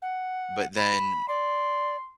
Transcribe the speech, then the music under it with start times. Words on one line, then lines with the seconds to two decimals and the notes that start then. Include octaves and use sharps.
but then
0.02 F#5
0.76 B5
1.28 D5 C6